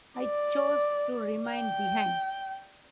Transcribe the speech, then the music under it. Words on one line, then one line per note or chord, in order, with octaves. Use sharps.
I chose to remain behind.
D5
G5